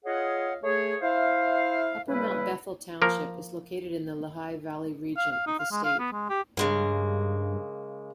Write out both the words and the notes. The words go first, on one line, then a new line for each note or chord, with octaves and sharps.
Upper Mount Bethel Township is located in the Lehigh Valley region of the state.
F4 G#4 C#5 D#5 F5 F#5
A3 G#4 C#5
E4 C5 E5 F5
C#3 G3 A#3 E4 B4
F3 A#3 A#4
F5
F5
D#4
F5
G#3
F5
B3
G#3
G4
G2 C#3 G#3 A#3